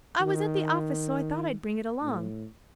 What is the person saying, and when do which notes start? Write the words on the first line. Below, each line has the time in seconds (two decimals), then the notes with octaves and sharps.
I was at the office, so I thought I'd bring it along.
0.21 D#3
2.01 A2